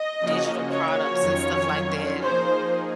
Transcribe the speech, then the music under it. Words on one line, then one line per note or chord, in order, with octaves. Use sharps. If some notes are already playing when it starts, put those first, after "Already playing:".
digital products and stuff like that, and
Already playing: D#5
C#3 F3 A#3 C#4 F#4
C#5
F2 D#3 F#3 C#4 F4
F3 A#3 D#4 G#4 C5